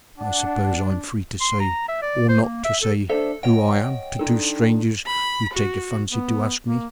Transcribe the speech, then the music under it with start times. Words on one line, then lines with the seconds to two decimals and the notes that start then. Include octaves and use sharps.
"I suppose I am free to say or not to say who I am to two strangers who take a fancy to ask me."
0.18 D4 F#5
1.41 C6
1.60 A#5
1.89 E5
2.02 D5
2.29 C5
2.43 A#3
2.65 E5
2.82 A4
3.10 D4 A4 C5 E5
3.43 C#5 D#5 F#5 G5
4.19 D4 D#4 A4
5.06 B5
5.54 F#4
6.13 B3
6.68 A#3